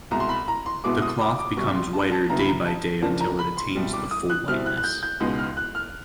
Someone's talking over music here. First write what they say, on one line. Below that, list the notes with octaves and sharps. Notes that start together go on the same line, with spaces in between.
The cloth becomes whiter day by day until it attains the full whiteness.
C2 B2 G#3 A#5
C6
B5
A#5
C6
C2 B2 G#3 B3 E4 D6
D#6
D6
D6
C2 B2 G3 C#6
C6
A5
A5
D#2 C#3 F#3 B3 E4 A#5
B5
A#5
A5
C#2 C#3 F3 A#3 D4 A5
A#5
B5
C6
C2 B2 G3
D6
D#6
F#6
B2 G3 C4 E4 F6
F#6
F#6
G6
G6
C#2 B2 G#3 B3 D#4
F6
F#6
F6